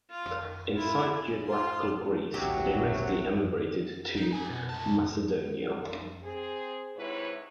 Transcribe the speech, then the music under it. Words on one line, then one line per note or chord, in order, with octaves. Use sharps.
Inside geographical Greece, they mostly emigrated to Macedonia.
F4 F5
D#3
E4 F4
G#4
F4 C6
A#1 D#2 A2 C3 F#3 F#4 G4
D#4
G4 G#5
B2
C2 A5
C4 G#4
G#2 C3 E4 B4 C#5